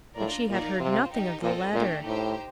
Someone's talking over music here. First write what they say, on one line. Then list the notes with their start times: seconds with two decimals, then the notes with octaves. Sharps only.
But she had heard nothing of the letter.
0.17 A2 D4 F4 A#4 D5
0.49 A#2 D#4 A#4 D5 F5
0.80 C3 C4 F4 C5
1.11 D#4 G4 A#4
1.42 A#2 C4 F4 A4 D#5
1.73 A#2 A3 D4 G4
2.05 A2 D#4 G4 C5